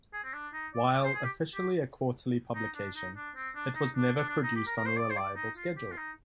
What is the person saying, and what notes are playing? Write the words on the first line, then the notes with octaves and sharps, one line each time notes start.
While officially a quarterly publication, it was never produced on a reliable schedule.
G#4
C4
D4
D#4
D5
D5
C5
G#4
G4
G4
D#4
D4
D#4
D4
C4
D4
D#4
D4
D4
D4
D#4
G4
A#4
A#4
C5
D5
C5
D5
D#4
F4
G4
F4
D#4